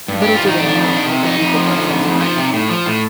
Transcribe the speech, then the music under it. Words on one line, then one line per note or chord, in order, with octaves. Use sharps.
Little do they know that the Beagle Boys are spying on them.
G2
G3 G4
F4
D#3 D#4
F2 D4
F2
D#3
C3
F2 D#4
F2
F3
D3
F2
F2
F3
C3
A2
F3
A2